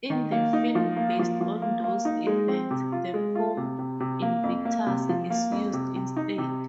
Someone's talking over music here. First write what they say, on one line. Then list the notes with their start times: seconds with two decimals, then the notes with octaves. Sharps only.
In the film based on those events, the poem "Invictus" is used instead.
0.10 D#3
0.32 A#3
0.53 D#4
0.75 F3
0.96 A#3
1.19 F3
1.41 F3
1.62 A#3
1.84 A#3
2.05 D#4
2.27 G#3
2.48 C4
2.71 C3
2.92 F4
3.14 G#3
3.35 F4
3.57 C3
3.79 C3
4.00 C3
4.22 A#3
4.44 F2
4.65 A#3
4.86 C3
5.09 F3
5.30 A#3
5.52 F2
5.73 C3
5.96 C3
6.17 D#4
6.38 C3